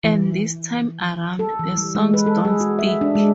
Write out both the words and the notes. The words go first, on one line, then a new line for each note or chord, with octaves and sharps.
And this time around, the songs don't stick.
E3
A4
E3
G3
G#3
B4
A4
G#4
F#4
E5
D4
G#3